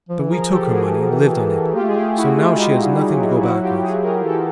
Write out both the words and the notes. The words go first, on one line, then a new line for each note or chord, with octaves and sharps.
But we took her money and lived on it, so now she has nothing to go back with.
F3
E3
F3 G#4 A#4
G4 A4
F#4 G#4
E3
F3
E3
A#3 F4 G4
A3
G#3 G#4
A3 F4 G4
E4 F#4
D#4 F4
E4
G#3 D#4 F4
G3
F#3
F#3 E4 F#4
F3
F#3
F4 G4
F#4 G#4
G#4 A#4
E3 G4 A4